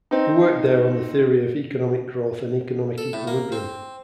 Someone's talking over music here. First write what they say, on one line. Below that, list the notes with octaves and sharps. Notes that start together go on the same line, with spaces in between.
He worked there on the theory of economic growth and economic equilibrium.
C4 D#4
A4
A2
A#3
C4